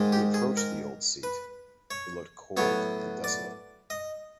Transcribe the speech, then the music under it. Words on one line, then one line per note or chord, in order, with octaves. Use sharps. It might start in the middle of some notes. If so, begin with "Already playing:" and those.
He approached the old seat; it looked cold and desolate.
Already playing: G#2 D#3 G#3
G4
G#4
A#4
B4
C#5
A2 F#3 B3 C#5
D5
D#5